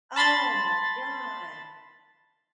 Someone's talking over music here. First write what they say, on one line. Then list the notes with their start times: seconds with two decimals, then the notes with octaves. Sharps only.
Oh my god!
0.16 A5 B5 C6 A6